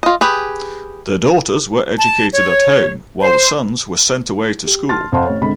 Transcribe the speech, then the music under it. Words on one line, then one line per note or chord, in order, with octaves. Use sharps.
The daughters were educated at home while the sons were sent away to school.
F4 D#5
G4 G#4 B4
A5
C#5
C5
G4
A5 C6 F6 A6
F2 C5 F5 F#5 A5 C6
A1 C#5
G#1 C#2 D3 B5